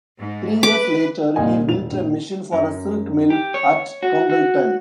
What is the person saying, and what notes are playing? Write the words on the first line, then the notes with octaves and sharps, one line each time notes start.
Three years later he built a machine for a silk mill at Congleton.
G#2
B4 D6
C2 A#2 A#3 D#4 G#5
E1 F7
A#1
F#2
G4
C#5
F#4
F#4